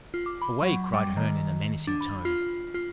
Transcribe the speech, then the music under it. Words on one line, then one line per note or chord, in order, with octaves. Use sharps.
"Away!" cried Herne in a menacing tone.
F4
D6
B5
F#3
G3
D#3
D4
B5
F4
F4